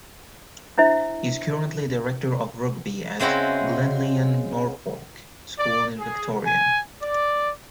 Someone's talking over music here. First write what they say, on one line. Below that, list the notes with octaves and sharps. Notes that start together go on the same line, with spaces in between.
He is currently Director of Rugby at Glenlyon Norfolk School in Victoria.
D4 E4 C5 E5
C#3 G#3 C4 E4 F#4
D5
G#4
G#5
D5